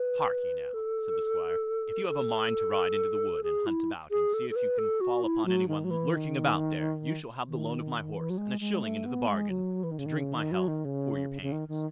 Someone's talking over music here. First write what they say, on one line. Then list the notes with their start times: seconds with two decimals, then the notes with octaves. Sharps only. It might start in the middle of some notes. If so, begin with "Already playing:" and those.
'Harkye, now', said the Squire, 'if you have a mind to ride into the wood, and hunt about and see if you can fall upon any one lurking about there, you shall have the loan of my horse, and a shilling into the bargain, to drink my health, for your pains.'
Already playing: B4
0.74 A4
2.09 A4
3.43 G#4
3.66 E4
4.11 G#4
4.34 A4
4.50 A4
4.56 B4
4.78 A4
5.01 F#4
5.23 E4
5.46 F#3
5.68 D#3
5.84 F#3
5.90 E3
6.13 D#3
7.48 D#3
8.15 E3
8.30 F#3
8.37 G#3
8.60 G#3
8.83 A3
9.06 B3
9.28 G#3
9.50 F#3
9.83 E3
9.91 D#3
9.98 C#3
10.06 D#3
10.17 C#3
10.34 D#3
10.51 F#3
10.68 D#3
10.85 C#3
11.42 C#3
11.52 D#3
11.68 D#3